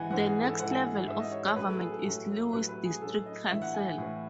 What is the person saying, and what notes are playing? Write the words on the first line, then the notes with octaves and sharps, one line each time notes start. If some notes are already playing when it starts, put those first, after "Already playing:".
The next level of government is Lewes District Council.
Already playing: G#2 E3 F#5 G#5
G#2 E3 F#5
G#4
A4
G#2 E3 F#5
G#5
G#2 E3 E5
D#5
C#5
C#5
A2 F#3 B4
A4
G#4
A4
A2 F#3
A2 F#3 B4
B4
G#4
A2 F#3 A4
D#5
A2 E3 E5
F#5
G#5
A2 E3